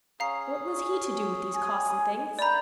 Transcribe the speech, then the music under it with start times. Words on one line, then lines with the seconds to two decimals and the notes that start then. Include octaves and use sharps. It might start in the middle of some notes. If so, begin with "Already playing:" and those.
What was he to do with these costly things?
0.20 C#4 G#4 F5 A#5 C7
1.53 G#5
2.39 A3 A#3 D5 A#5 B5 G6